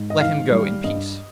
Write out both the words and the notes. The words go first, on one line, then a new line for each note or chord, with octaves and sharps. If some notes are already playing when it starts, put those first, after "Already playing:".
Let him go in peace.'
Already playing: G#2
D#5
D#3 F5
G3
G2 D#5